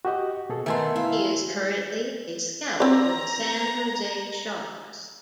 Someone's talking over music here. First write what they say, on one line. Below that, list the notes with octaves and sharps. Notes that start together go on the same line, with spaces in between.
He is currently a scout for the San Jose Sharks.
F#4 G4 D#5
B2 G#4 A4
D#3 A3 B3 E5 G#5 C6
E4 F5
C4 D5 A#5